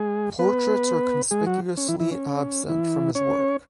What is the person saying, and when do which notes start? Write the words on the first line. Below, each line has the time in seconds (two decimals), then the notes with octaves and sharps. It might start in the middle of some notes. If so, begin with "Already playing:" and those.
Portraits are conspicuously absent from his work.
Already playing: G#3 G#4
0.39 B3 B4
1.31 G#3 G#4
1.46 F#3 F#4
1.77 C#4
1.88 E3 E4
2.00 E3 E4
2.12 C#4
2.69 E3 E4
3.15 C#4 C#5